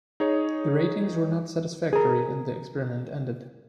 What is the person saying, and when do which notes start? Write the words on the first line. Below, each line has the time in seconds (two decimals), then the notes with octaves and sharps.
The ratings were not satisfactory, and the experiment ended.
0.20 D#4 G#4 C#5
1.93 G#4 A#4